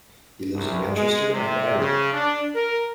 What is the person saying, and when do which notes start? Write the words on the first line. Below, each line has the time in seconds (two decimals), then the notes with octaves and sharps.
He lives in Manchester and Ireland.
0.54 C2
0.95 G#3
1.33 C3
1.79 C#3
2.13 D4
2.55 A#4